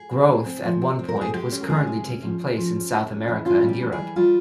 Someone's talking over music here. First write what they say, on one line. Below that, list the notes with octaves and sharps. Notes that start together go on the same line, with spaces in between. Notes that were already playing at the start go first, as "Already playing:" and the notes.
Growth at one point was currently taking place in South America and Europe.
Already playing: G#4
C4
C4
C4
F3
C4
C4
A#4
C4 G#4
G#3 G4
C#4
A#4
G#3 G#4
C3
C#4
F3
C#4
F3
C#4
A#3
C#4
E3
C#4 F4
G3
G4
E3
G#4
G3
G3 F4